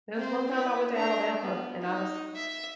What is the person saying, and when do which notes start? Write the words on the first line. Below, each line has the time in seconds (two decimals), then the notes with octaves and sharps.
There was one time I went to Alabama, and I was
0.15 C4 C5
0.51 E4 B4
0.96 D4 A#5
1.39 B3
1.81 D#4
2.35 E5